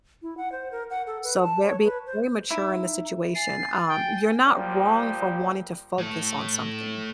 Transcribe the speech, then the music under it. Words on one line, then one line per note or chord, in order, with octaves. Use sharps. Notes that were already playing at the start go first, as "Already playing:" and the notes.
So, ve being very mature in the situation, um, you're not wrong for wanting to focus on something.
E4
F#5
C5
A#4
F#5
A4
B4
A5
C#5
B4
C5
D#4 E4
G#5 A6 C7
G5
A#2 F3 G3
A2 A4